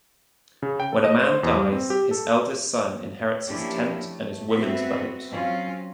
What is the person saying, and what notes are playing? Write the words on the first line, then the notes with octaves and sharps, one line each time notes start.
When a man dies, his eldest son inherits his tent and his women's-boat.
C#3
G5
A4
D#5
C5
E2
G3
C4
G4
A4
F3 A#3 C#4 D4 E4 G4
A3
B3 C4 F#4 E5
F#3 C4 C#4 F4